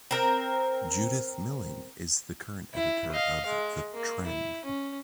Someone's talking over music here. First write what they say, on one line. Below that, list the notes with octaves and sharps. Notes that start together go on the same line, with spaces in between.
Judith Milling is the current editor of the "Trend".
C4 A#4
E4
D#5 F5
G#3
A#3
E4
C#4